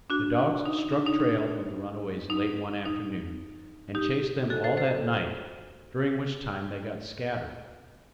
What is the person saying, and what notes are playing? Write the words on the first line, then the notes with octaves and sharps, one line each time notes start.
The dogs struck trail of the runaways late one afternoon, and chased them all that night, during which time they got scattered.
D4 F#4
D#4
D#4
D4
D#4
D#4
D#4
D#4
D#4 G4
F#4 A4
A4 C5
A4 C5